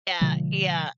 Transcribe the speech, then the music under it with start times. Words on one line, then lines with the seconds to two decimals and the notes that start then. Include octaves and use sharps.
Yeah, yeah.
0.21 B2 D3 F3 G#3